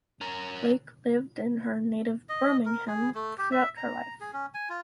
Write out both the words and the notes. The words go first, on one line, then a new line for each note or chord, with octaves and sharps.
Blake lived in her native Birmingham throughout her life.
C#4 A#4
D#5
A#4
G#4
A3
G4
E5
A#5
G#4
C#4
G#5
F4